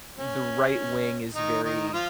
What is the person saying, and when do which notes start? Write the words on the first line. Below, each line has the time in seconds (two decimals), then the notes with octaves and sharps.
the right wing is very
0.18 C#4
1.35 D#3 D#4
1.64 D#3 D#4
1.88 D#4
1.93 F3 F4